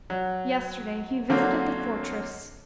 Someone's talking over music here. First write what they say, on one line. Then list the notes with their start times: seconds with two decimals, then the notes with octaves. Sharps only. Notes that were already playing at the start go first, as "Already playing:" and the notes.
Yesterday he visited the fortress.
0.10 F#3
1.30 D3 F#3 A#3 C4 C#4